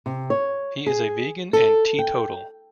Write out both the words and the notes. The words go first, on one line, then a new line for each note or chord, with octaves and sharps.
He is a vegan and teetotal.
C3
C#5
G#4
A4
G5